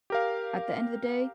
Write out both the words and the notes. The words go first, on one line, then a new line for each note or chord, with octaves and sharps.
at the end of the day,
G4 A#4 F5